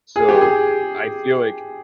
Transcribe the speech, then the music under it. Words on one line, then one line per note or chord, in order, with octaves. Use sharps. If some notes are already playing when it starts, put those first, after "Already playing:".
So, I feel like
G#4
G4
G#4